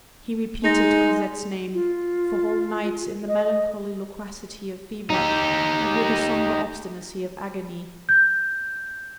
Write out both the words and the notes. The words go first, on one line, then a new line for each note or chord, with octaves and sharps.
He repeated Cosette's name for whole nights in the melancholy loquacity of fever, and with the sombre obstinacy of agony.
G#3 D#4 G#4 A#6
F4
D#5
D#4 G4
G6